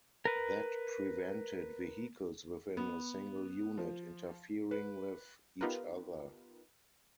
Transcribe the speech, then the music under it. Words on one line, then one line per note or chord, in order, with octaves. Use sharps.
That prevented vehicles within a single unit interfering with each other.
A#4 B4
B3
F3
B4
B3 D#4 F4 G4 A#4 B4